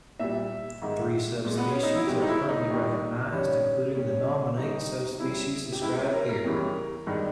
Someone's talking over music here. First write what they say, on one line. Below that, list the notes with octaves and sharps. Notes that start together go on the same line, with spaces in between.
Three subspecies are currently recognized, including the nominate subspecies described here.
A#2 G3 E5
G#2 D#3 G#3
A#2 G#3
B3
C#4
D#4
E4
E2 B2 G#3 G4
D#4
E4
D#4
D#2 D#3 G3
G2 D#3 G3 C#4
A#2 G3 C#4
D#2 D#3 G3 D#4
E2 C#3 G3 E4
G4
C#2 B2 G#3 E4
C#4
A#4
A#4
D#2 C#3 E3 G3
G2 D#3 G#3